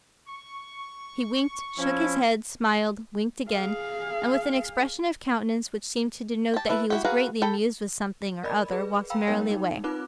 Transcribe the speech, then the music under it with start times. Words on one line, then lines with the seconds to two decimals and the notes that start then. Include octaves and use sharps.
He winked, shook his head, smiled, winked again; and, with an expression of countenance which seemed to denote that he was greatly amused with something or other, walked merrily away.
0.27 C#6
1.78 F3 C#4 E4
3.49 G#4 F5
6.54 G4 A5
6.69 A3 E4 B4
6.90 E4 F#4 G4
7.04 F#4 G#4 B4 F5 A#5
7.42 A4 G5 B5
8.43 A#4 D5 D#5 B5
8.71 G#4 B4
9.10 F5 G5 A#5 B5 E6
9.27 G3 B3 D#4 A#4 C#5 G5
9.51 D#4
9.84 C4 D#4 F4 B4 D6 F#6